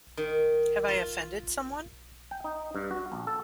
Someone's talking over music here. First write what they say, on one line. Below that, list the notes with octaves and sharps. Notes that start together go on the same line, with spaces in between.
Have I Offended Someone?
D#3
F4
G5
D#4
G2
F#4
A#1
A4